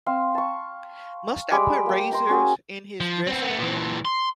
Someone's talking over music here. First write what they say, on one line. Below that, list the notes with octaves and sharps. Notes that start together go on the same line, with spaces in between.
Must I put razors in his dressing-room?
C4 F5
A5 C#6
G3 G#3 B5 D6
A#3 G5
G5 A#5 C6
C#4 F#4 G#4
F3
B3 C4
A3 B3
A#2 E3
C6